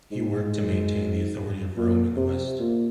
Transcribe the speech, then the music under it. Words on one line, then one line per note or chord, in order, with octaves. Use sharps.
He worked to maintain the authority of Rome in the West.
G#2
A#2
C3
A#2